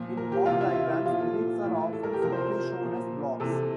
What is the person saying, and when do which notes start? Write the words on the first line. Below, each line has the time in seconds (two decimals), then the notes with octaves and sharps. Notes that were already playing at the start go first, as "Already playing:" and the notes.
In block diagrams, units are often simply shown as blocks.
Already playing: A#2 F3
0.17 A#4
0.32 G4
0.46 C3 E3 F4
0.61 E4
0.71 F4
0.76 E4
0.90 E4
1.05 A#2 F3 F4
1.20 A4
1.64 A2 E3
1.93 A4
2.03 A#4
2.13 G4
2.22 C3 F3 A#4
2.32 C5
2.41 A#4
2.81 A#2 F3
3.40 C3 E3 A4